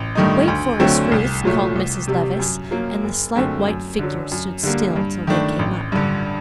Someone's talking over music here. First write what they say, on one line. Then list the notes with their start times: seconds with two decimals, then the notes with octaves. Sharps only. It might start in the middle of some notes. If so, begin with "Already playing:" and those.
"Wait for us, Ruth," called Mrs. Levice, and the slight white figure stood still till they came up.
Already playing: A1
0.15 G2 D#3 A3 D#4
0.48 D2
0.80 D3 F#3 A3 C4
1.12 C2
1.44 A#2 F#3 A3
1.75 C2
2.07 C3 G3
2.39 F#2
2.71 F#3 A#3
3.04 F#1
3.36 F#2 D3 A3 C4
3.68 F#2
3.99 D3 F#3
4.31 F#2
4.63 D3 G3 A#3
4.96 G2
5.27 D#3 A3 D4
5.59 A1
5.92 G2 D3